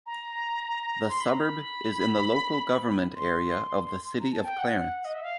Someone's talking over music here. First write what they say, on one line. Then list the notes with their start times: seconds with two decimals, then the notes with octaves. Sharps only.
The suburb is in the local government area of the City of Clarence.
0.06 A#5
1.09 C6
1.20 B5
1.30 A#5
1.41 B5
3.15 C6
4.20 A#5
4.32 A5
4.45 G5
4.58 F#5
5.05 D#5
5.14 E5
5.23 F5